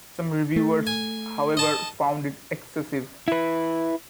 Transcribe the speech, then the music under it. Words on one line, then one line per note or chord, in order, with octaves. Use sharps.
Some reviewers, however, found it excessive.
A3
G#5
D#5 A5
E4 B4